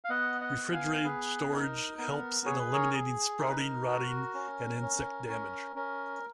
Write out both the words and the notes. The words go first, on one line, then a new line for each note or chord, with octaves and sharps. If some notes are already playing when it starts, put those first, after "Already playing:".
Refrigerated storage helps in eliminating sprouting, rotting and insect damage.
F5
B3 D#5 F#5
D#5 F#5
B3
F5 G#5
B3 G#4 B4
D#4 A#4
B3 A#4
G#4 C#5
B4
A#4 C#5
G#4
D#4 A#4
B4
A#4
F#4
C#4
C#4
C#4
C#4 A#4